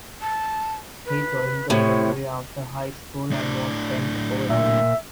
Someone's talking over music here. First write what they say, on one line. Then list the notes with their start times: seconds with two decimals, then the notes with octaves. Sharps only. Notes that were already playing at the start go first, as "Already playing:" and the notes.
He joined the military after high school and was sent overseas.
0.22 A5
1.06 B4
1.70 A2 C3 C#5
3.31 A2 D4
4.50 A#2 E5